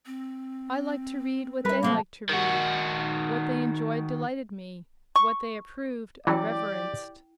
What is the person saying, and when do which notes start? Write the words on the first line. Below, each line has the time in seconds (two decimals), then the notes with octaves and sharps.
I liked to read what they liked to read: what they enjoyed, delighted me; what they approved, I reverenced.
0.06 C4
1.65 G3 A#4 B4 E5 B5
1.83 C3 F#3 A#3 A4
2.29 D#3 F#4
5.16 C#6
6.27 E3 F#3 C#4 E4 G4 D5 G5 D6